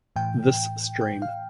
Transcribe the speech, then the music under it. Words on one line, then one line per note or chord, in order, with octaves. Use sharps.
This stream.
A2 E3 G5
G5
F5